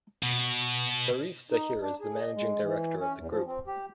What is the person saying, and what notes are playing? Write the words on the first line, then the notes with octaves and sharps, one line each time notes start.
Sharif Zahir is the Managing Director of the group.
B2
D#4
D4
G#4
D#5
G#3
E3
C#4
E2
F3
C4
G4